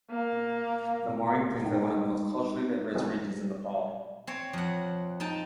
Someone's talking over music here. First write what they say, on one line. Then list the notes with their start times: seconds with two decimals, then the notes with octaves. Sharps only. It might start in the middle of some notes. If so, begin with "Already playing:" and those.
The Morang plains are one of the most culturally diverse regions in Nepal.
0.10 A#3
1.64 D#4 G5
4.27 C4 C#5
4.53 F2 F#5
5.20 D#4 G5 A5